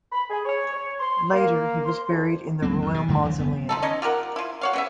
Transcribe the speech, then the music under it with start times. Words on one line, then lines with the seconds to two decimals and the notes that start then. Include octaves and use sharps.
Later he was buried in the royal mausoleum.
0.12 B5
0.30 G#4
0.45 C#5
0.73 C#5
0.99 C6
1.32 A#3
1.86 C6
2.10 F2
2.62 C#2 F#3 A#3 C4
2.82 F2
2.94 B2
3.08 G1 D3 G3 A3
3.25 D#2 D3 E3 G3
3.39 F#1 B3
3.69 F3 D#4 A4
3.82 C#4 D#4 D#5
4.02 F4 G4 A#4 F#5
4.36 E4 F4
4.61 F#4 C#5 F5
4.73 C#3 B3 E5